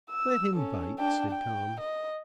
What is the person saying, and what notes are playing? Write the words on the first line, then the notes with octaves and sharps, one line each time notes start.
"Let him bite," said Tom.
E6
C#4 A4
D4 G5
G5
D#5